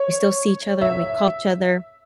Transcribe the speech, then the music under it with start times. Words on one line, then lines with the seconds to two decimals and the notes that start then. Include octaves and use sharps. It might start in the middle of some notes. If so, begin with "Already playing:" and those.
We still see each other, we call each other,
Already playing: C#5
0.81 E5